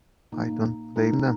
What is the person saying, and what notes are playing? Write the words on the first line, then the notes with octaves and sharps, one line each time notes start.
I don't blame them.
A#2 A#3 D#4
G#3 D#4 A#4